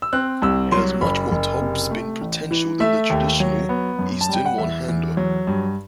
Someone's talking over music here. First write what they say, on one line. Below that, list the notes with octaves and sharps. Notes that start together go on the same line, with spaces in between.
It has much more topspin potential than the traditional Eastern one-hander.
E6
C4 F#6
C2 E6
F#3 C6
F#1 B5
F#1
C3
A3
A1
E3
A3 E5
D#2
F#3
B3
F#2
A5
G3 G5
F#5
E2 E5
E2
F#3
G2